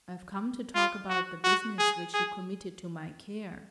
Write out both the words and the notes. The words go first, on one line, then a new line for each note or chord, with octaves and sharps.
"I've come to talk about the business which you committed to my care."
F4
F#4
F#4
G#4
G#4